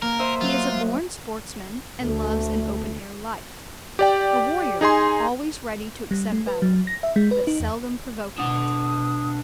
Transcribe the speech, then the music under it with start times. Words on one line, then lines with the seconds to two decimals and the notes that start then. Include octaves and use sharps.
He is a born sportsman and loves an open-air life--a warrior, always ready to accept battle, but seldom provoking it.
0.02 A#3 A#4
0.19 C5 D#5 E5
0.41 F#3 F4 F#6
2.03 D2 A3
3.99 G4 D5 G5
4.81 D#4 G#4 G#5 C6
6.11 G3
6.32 A3
6.47 B4
6.62 F#3
6.87 A#6
7.03 E5
7.16 G#3
7.31 B4
7.47 D#4
7.60 E2
8.38 B2 D4 F#5 D#6